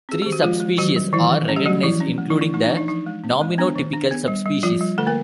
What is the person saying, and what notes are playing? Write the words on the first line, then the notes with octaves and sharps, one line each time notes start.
Three subspecies are recognized, including the nominotypical subspecies.
C4 G#4
D#3 G4
F#4
F3 G#3 F4
G#3
D#3 F#3 F#4
G3
D#3 E3 E4
D#3
C#4
G3 G4
F#3 A3 F#4
E3 F3 E4
C#4
A3
E3 E4
A3
E3 E4
A3 D#4
D4
E3
D#4
F3 D#4
G#3
C4
G#3
B3 D4
D#3
D4
B3
G3
G3
F3 G3 F4
G3
D3 A3 A4
A#3 A#4